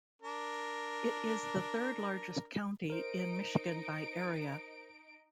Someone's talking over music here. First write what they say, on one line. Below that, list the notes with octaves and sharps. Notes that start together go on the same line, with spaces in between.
It is the third-largest county in Michigan by area.
D4 A#4
D#4 A#4 C5 D7